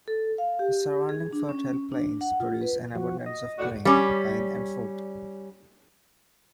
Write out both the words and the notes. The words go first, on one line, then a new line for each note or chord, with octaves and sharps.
The surrounding fertile plains produce an abundance of grain, wine and fruit.
A4
F5
G4
G#4
D4
C#4
D4
F#5
F4
B4
F3 F#4
D#5
A2 D4 F#4
G3 C#4